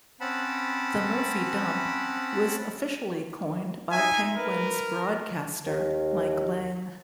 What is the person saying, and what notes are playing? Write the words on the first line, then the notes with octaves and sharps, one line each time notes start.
The "Murphy Dump" was officially coined by Penguins broadcaster Mike Lange.
C4 C#4 F#5 A5 B5
D#4 E5 G#5
A#4 B4
D#2